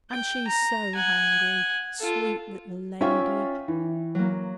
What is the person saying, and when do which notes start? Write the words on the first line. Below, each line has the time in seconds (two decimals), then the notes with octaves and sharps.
"And she's so hungry, sweet little lady."
0.10 G5
0.48 A#5
0.95 F#5 G#5
2.00 F4 A4
3.01 C#4 F4 E5 G5 C#6
3.68 E3
4.15 F#3 A#3